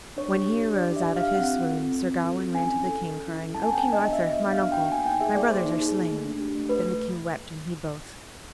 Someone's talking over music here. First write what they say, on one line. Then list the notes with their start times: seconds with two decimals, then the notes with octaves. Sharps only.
When he arose out of his swoon Sir Gawain ran to the king, crying, "O King Arthur, mine uncle, my brothers are slain." Then the king wept and he both.
0.17 D4 C#5
0.32 G4
0.47 D4
0.62 G4
0.77 D4 D5
0.92 G4 E5
1.06 D4
1.16 F5
1.20 G4
1.35 C4 F#5
1.51 F4
1.65 A4
1.80 C4
1.95 C4
2.10 F4
2.24 A4
2.39 C4
2.54 C#4 G#5
2.69 E4
2.84 A4
2.98 C#4
3.14 C#4
3.28 E4
3.43 A4
3.55 C#4 A5
3.63 G#5
3.73 B3 G5
3.87 D4
3.93 D#5
4.03 F#4 D#5
4.13 E5
4.18 B3
4.32 B3 E5
4.47 D4 F5
4.61 F#4
4.72 G5
4.77 B3
4.92 A#3 G#5
5.06 D#4 G5
5.20 G#4 E5
5.35 A#3 D5
5.50 A#3 C5
5.65 D#4
5.80 G#4
5.96 A#3
6.10 A3
6.25 D4
6.39 G4
6.55 A3
6.69 A3 B4